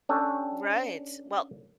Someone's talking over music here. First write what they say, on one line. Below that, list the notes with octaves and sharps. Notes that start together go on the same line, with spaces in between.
Right, well,
C#4 D4 G4 A4